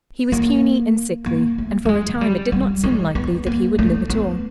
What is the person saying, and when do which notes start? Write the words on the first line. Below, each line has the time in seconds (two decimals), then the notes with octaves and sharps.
He was puny and sickly, and for a time it did not seem likely that he would live at all.
0.32 A#3
1.26 A#3
1.58 A3
1.85 A3
1.89 G#3
2.09 G#3
2.21 G3
2.52 G3
2.84 G#3
3.15 B3
3.46 A#3
3.79 A3
4.10 B3